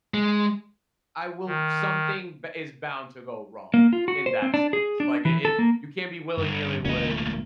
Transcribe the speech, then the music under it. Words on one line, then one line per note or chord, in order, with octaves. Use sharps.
"I will" Something b is bound to go wrong in that sense, like, it it you can't be willy-nilly with
G#3
D#3
A#3
F4
F#4
C5
C4
D4
G#4
D4
E3
A4
A#3
G2 D3
E1 D2 A#2 C#4 D#5
A3 A#3